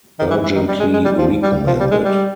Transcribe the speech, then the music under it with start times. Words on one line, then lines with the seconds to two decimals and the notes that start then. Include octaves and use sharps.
Urgently recommended!
0.19 D#3
0.30 E3
0.43 E3
0.55 D#3
0.68 G3
0.80 G#3
0.93 G#3
1.05 G3
1.18 F3
1.42 G3
1.67 F3
1.80 G3
1.91 G#3
2.04 G3